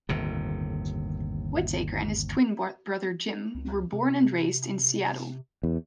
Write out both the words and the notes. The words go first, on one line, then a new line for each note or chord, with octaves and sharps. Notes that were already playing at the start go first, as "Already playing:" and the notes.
Whittaker and his twin brother Jim were born and raised in Seattle.
G1 D#2 A2 C3
C#2
C3
E2